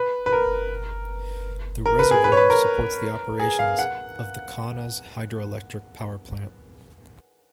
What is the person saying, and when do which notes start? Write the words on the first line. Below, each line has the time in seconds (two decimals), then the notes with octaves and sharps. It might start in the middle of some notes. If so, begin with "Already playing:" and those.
The reservoir supports the operations of the Kaunas Hydroelectric Power Plant.
Already playing: B4
0.26 B4
0.33 A#4
1.86 A#4
1.99 B4
2.11 G#4
2.24 B4
2.32 C#5
2.37 B4
2.50 A#4
3.40 G#4
3.59 F5
3.79 F#5